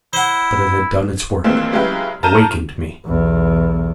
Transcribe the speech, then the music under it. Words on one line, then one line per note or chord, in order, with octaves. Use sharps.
But it had done its work--awakened me.
E4 C5 F#5
D#2 A#2 E3 G#3 A#3 C4
C#3 F#3 G#3 E4 G4 B4
A5 A#5 F6 G6 D#7 E7
B1 E2